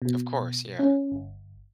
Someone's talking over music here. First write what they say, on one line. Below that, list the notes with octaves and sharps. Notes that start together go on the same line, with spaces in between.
Of course, yeah.
B2
C#4
G1